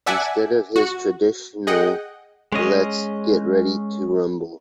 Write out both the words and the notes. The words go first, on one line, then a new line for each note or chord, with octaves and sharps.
Instead of his traditional Let's get ready to rumble!
D5 E5 F#5 G#5 A5 D6
F#4
G#4 D#5 F#5 G5
G#3 C#4 D#5